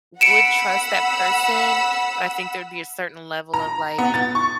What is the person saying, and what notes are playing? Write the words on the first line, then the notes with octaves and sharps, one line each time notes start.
would trust that person, but I think there'd be a certain level of like
F#5 B5 E6 C#7 D7 E7
A#5
B3
A6
C#6